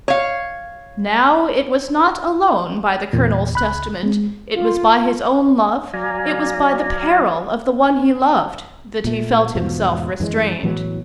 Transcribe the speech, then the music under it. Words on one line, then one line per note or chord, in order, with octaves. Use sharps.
Now, it was not alone by the colonel's testament, it was by his own love, it was by the peril of the one he loved, that he felt himself restrained.
C#5 F5
E2 A#2
C#2 B5 F#6
G#3
F4
F#3 D5 F5 G#5 A#5
A#2 A3
E2 G#2 B2 F3
F#2 E3 G#3
A2 E3 F#3 B3